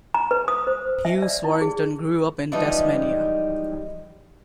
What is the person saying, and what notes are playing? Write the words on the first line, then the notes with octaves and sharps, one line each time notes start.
Hughes-Warrington grew up in Tasmania.
A#5
B4
D#6
C5
E5
D5
E4
G#4
E3 F3 G3 G#3 D#4 D#5